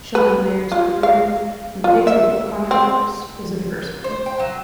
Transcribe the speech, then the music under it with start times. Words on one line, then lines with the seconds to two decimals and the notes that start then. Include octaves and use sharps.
Sheldon Mayer's career in the days before comic books was a diverse one.
0.15 B4
0.72 F4
1.03 F5
1.84 F4
2.07 E5
2.71 C4
4.04 C5
4.26 G5
4.40 F#3